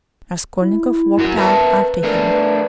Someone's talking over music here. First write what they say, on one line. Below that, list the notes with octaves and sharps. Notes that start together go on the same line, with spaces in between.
Raskolnikov walked out after him.
E4
F#2 F#4 A#4
A#4 B4 E5 A5
A3 D4 A#4